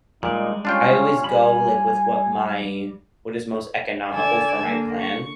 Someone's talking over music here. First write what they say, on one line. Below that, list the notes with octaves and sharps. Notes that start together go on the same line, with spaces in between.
I always go, like, with what my what is most economical for my plan.
A#2 G3 G#3 D#4 D5
C#4 D4 F4 G5
G3 G#5 B5
D3 D5 G#5 E6 G#6
D3 A#3
C#6